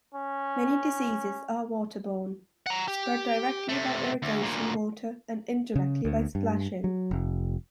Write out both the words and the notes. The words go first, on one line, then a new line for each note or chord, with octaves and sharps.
Many diseases are waterborne, spread directly by irrigation water and indirectly by splashing.
C#4
F#5 A#5
G4
C3 A3
D2
D2 A#2
C#3
D2
G2
F#3
F1